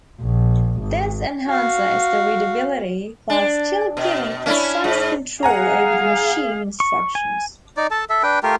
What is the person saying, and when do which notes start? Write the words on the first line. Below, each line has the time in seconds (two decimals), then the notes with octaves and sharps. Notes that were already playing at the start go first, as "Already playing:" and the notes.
This enhances the readability while still giving precise control over the machine instructions.
0.21 A#1
0.80 G#1
1.47 F#4 F5
3.30 D4
3.97 B2
4.46 C#4 D4 E4
4.84 G#2
5.43 G#4 F5 F#5 G#5 A#5
6.80 C#6
7.15 G#5
7.77 D#4 D5
7.91 A4 A5
8.10 A4 E5
8.23 D4 B4 G5
8.43 A3 F4 G4 A#4